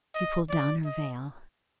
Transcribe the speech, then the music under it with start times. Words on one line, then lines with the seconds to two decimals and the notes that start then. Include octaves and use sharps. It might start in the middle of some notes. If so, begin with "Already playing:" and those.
She pulled down her veil.
0.14 D#5
0.49 D5
0.85 D#5